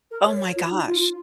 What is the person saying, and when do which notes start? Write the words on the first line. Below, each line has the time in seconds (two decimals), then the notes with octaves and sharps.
Oh my gosh.
0.09 A#4
0.24 C#5
0.55 F4
0.70 D#4
0.86 F4